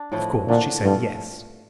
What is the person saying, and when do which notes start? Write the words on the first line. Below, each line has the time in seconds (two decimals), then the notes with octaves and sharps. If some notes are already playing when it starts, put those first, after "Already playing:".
Of course she said, Yes.
Already playing: D4
0.12 A2 F3 C4 E4
0.47 A#2 D3 A3 D4
0.83 G2 F3 A3 C4 F4